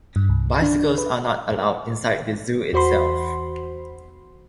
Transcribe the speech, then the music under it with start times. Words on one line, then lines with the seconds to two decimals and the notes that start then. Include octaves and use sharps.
Bicycles are not allowed inside the zoo itself.
0.16 G2
0.29 C2
0.62 D4
0.98 B4
2.73 E2 F#4 C5 B5 C6